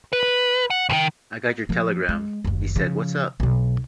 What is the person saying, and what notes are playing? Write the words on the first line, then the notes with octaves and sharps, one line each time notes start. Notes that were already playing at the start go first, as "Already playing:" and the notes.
"I got your telegram," he said, "what's up?"
B4
F#5
D2 D#3
F3 A#3
G#3
F#1 D#2
C#3 F3
B1 D4